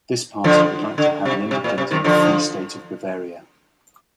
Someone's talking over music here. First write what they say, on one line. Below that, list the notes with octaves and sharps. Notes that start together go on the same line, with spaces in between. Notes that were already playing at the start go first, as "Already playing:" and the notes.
This party would like to have an independent "Free State of Bavaria".
D3 F3
D3
C3
C3
A#2
C3
C3 D#3
D3 F3